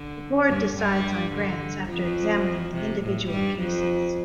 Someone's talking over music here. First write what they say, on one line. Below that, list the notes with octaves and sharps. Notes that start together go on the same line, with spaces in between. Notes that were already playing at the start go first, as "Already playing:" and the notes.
The Board decides on grants after examining the individual cases.
Already playing: D3
G2 G3
G2 G3
D3
F2 F3
C3
A2
G2 G3
F2 F3